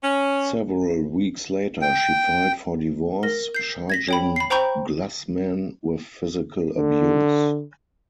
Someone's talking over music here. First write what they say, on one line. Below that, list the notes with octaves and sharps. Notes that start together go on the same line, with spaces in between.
Several weeks later, she filed for divorce, charging Glusman with physical abuse.
C#4
G5
A#4 A#6
G6 C7
G#6 A#6 B6
C#5 G5 B5
B5 C7
C5 G5 A#5 B5 C#6 G6
D3